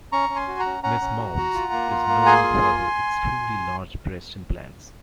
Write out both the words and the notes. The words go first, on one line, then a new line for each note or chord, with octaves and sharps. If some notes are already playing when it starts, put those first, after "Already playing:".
Ms. Mounds is known for her extremely large breast implants.
C#4 A#5 C#6
C#4
G#5 C6
F#4
F#5 A#5
C#4
C#4 F#5 A#5
C#4
F#4
F#4
F4
A#3
F4
A#3
G#4 G#5 C6
F4
A#3